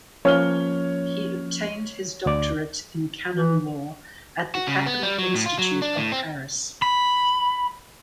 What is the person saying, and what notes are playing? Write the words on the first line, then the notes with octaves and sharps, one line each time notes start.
He obtained his doctorate in canon law at the Catholic Institute of Paris.
F3 A#3 C#4 C#5 F6 G7
D2 D5 D6
E3
F#4
C#3
B3
G3
F#3
A2
F4
F#3
D4
A2
C4
B5